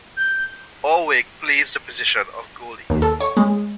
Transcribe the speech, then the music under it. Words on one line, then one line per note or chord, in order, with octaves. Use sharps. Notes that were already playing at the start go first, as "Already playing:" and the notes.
Orwig plays the position of goalie.
G6
D#2
A4
C#5
G#3